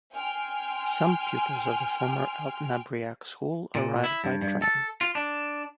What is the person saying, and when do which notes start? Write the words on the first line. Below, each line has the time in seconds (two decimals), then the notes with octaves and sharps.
Some pupils of the former Altnabreac School arrived by train.
0.13 G5 G#5 C6 F6
3.75 A#2
4.04 E4
4.24 G2
4.42 G2
4.62 A4
5.01 F4
5.15 D4